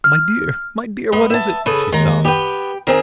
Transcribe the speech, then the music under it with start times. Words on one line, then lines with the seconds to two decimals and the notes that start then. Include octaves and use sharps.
"My dear, my dear, what is it?" she sobbed.
0.04 F6
1.13 G#3 B3
1.30 E5 A5
1.66 C#3 G#4 A4 B4
1.93 D#2 G#3 A#5
2.25 B3 G4 B4 G5
2.87 D#3 C4 G#4 A#4